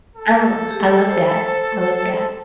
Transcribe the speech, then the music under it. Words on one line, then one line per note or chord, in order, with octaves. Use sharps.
I l I love that, I love that.
A4
G4 G#4
C5
C5